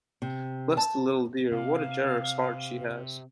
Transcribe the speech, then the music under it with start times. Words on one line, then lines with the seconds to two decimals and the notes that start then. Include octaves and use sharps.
Bless the little dear, what a generous heart she has!
0.22 C3
0.77 A5
1.52 C3 F5